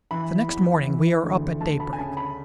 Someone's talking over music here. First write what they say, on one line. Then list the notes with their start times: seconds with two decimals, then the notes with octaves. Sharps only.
The next morning we are up at daybreak.
0.11 E3 B5
0.48 E2
0.86 E3
1.23 D2
1.60 D2 A5
1.80 B5
1.93 G#5
1.99 C#3 A5
2.17 B5